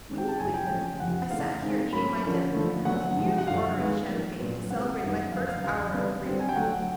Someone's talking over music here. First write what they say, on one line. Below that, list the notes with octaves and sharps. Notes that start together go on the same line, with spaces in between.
Would you believe, it, I sat here eating my dinner and was nearly ordering champagne to celebrate my first hour of freedom.
D#3 G#3 C4
G5
A5
F#2 C#3 E3 G#5
G#5
G5
C#3 F3 A3 C#4
F2 C3 F3 F#5
C#3 E3 A3 F5
D#3 G#3 C4 D#4
A2 F#3 A#3 C#4 B5
D3 F3 A#3 C#4
D3 F3 A3
D3 F#3 A3 F#5
C3 F3 G#3
F#5
F#2 D3 F3 F5
D#3 G#3 B3
G#2 F3 A#3 D4
A#2 F#3 B3 D4
C3 E3 G#3 C4 F#5
F#2 D#3 G3 B3 D4
F#2 D3 F3 A#3 F5
F5
E2 C#3 F#3 F5
D3 G3 B3 D4
D3 G3 C4
G#5
G5
D3 F#3 A3 F#5